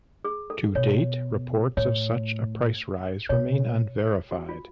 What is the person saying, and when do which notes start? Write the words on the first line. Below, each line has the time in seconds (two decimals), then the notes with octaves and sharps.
To date, reports of such a price rise remain unverified.
0.24 G#4
0.50 A4
0.75 B2 C#5
1.77 A2 C#5
3.29 B2 C#5
4.31 F#4
4.49 F4